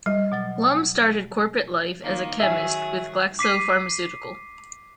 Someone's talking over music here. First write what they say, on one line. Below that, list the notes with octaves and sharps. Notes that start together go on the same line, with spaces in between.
Lum started corporate life as a chemist with Glaxo Pharmaceutical.
G3 D#5
B2 F#3 A6
D#3 A#3 D#4
D#3 F#3 G#4 E5 G#5
D6 B6 C7 D#7